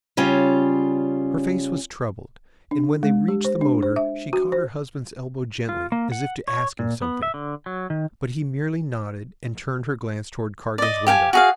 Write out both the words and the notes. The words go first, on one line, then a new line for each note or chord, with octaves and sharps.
Her face was troubled, and when they reached the motor, she caught her husband's elbow gently as if to ask him something, but he merely nodded and turned her glance toward Cargan's window.
C#3 G3 C#4 F4
D4
G#3
G4
C5
D4
C5
E5
F#4
C5
F4
A#3
F#5
C#5
A#2
B3
E5
D3
F#3
D#3
D5 D#5
G4 F5 G5 G#5
F#4 G#4 F5